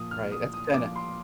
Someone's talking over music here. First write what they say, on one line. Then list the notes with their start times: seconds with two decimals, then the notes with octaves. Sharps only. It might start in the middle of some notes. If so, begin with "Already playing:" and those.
right, that's kinda
Already playing: A#2 F3 D#6
0.11 F6
0.32 D#6
0.54 D#6
0.74 A#2 F3 D6
0.96 C6